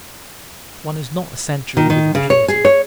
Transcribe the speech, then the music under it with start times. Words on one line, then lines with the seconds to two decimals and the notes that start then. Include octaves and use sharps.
One is not a century with impunity.
1.77 D#3
1.90 D#3
2.15 C#3
2.30 C#5
2.48 G#4
2.65 C#5